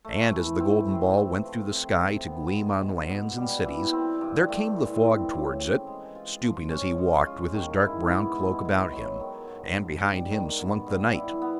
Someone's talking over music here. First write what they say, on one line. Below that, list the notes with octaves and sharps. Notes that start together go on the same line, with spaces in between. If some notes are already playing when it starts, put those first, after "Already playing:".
And as the golden ball went through the sky to gleam on lands and cities, there came the Fog towards it, stooping as he walked with his dark brown cloak about him, and behind him slunk the Night.
A3
E3
C4
C3
A3
F3
C3
C3
B3
G#3
B2
B2
G3
E3
C4
G2
A3
E3
C4
C#3
C4
G#3
F4
F3
C#4
G#3
F4
D#3
E4
B3
G#3
G#3
F#3
D#3
G#2
G#2
G3
D#3
B3
G2
E4
B3